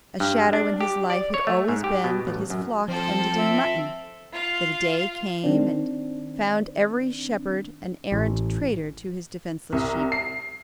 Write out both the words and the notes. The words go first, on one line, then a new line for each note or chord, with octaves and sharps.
A shadow in his life had always been that his flock ended in mutton--that a day came and found every shepherd an arrant traitor to his defenseless sheep.
G2
D4
G4
D5
C#5
A3
G#2
G4
B2
A1
F#2
F3 C4 A4
E5
F4 F5
D#3 C4 D4
A1
C2
C7